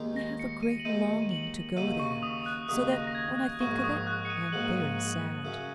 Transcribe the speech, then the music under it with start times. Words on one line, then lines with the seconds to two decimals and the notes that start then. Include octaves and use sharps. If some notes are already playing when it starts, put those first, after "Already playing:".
I have a great longing to go there, so that when I think of it I am very sad.
Already playing: D#2 D#3 G#3 D#4
0.16 A#6
0.39 C#7
0.63 D#7
0.80 F#7
0.85 D#2 D#3 G#3 D#4 D#7
1.22 D#7
1.31 F#7
1.77 D#2 C#3 F#3 D#4 D#7
2.00 C#6
2.23 D#6
2.46 F#6
2.69 D#2 C#3 F#3 D#4 D#6
2.92 A#6
3.07 A#6
3.15 G#6
3.38 F#6
3.60 A#1 G#2 F#3 A#3 C#6
3.79 C#6
3.84 D#6
4.07 F#6
4.25 C#7
4.30 D#7
4.52 A#1 G#2 F#3 A#3 F#7
5.45 F#2 C#3 F#3 C#4